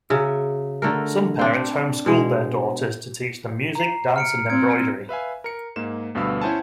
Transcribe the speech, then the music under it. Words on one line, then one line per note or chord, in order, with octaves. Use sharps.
Some parents home schooled their daughters to teach them music, dance and embroidery.
C#3 F#3 E5
D3 A3 A#4
C4 D4
B2 G#3
A#5 C7
F6 C#7 D7
C4 G#6 D7
B4 E5 F5 G#5
A#4 C#7
G#2 A#3 E7
D2 G2 B2 B3 F5 E6
C#4 E4 C5 F#5 G#5 A5